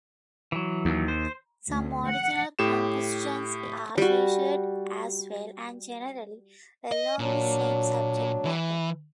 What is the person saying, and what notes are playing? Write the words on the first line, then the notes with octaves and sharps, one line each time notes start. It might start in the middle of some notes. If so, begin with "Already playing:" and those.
Some original compositions are featured as well, and generally along the same subject matter.
E3 F#3
D#2
C5
D2
F#5
A2 G4 E7
G3 F#4
D#5
A#2 F#3 D4
E3